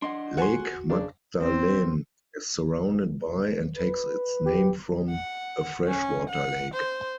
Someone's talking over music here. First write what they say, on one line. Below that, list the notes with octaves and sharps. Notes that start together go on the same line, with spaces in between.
Lake Magdalene is surrounded by, and takes its name from, a freshwater lake.
D4 D#5 F#5 C6
F#4 F#5 G#5 C6
C#3 D4
C4
B4
G4
F#5
C#4
F#5
C5